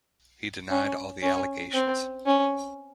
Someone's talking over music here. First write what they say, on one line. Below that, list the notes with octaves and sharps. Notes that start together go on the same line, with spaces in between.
He denied all the allegations.
C#4
C#4
C4
C#4